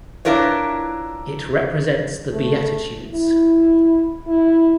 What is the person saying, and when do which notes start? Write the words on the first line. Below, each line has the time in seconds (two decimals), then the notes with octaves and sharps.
It represents the Beatitudes.
0.25 D4 E4 F4 A#4 B4 C#5
2.33 A3
3.11 E4
4.27 E4